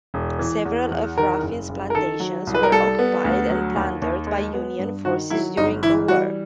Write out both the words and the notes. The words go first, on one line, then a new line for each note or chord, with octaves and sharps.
Several of Ruffin's plantations were occupied and plundered by Union forces during the war.
E1
E3
E2
E2
D#3 A#4
F#1
F#1
A#4
D#3 A4
F#3
C2
B4
A#4
G3 A4
B3
D2
F#3
D#2
D#2
G#3
B3
G2
D#3 F#4
F#3 E4
G1 D#4
E3 E4
G3 F#4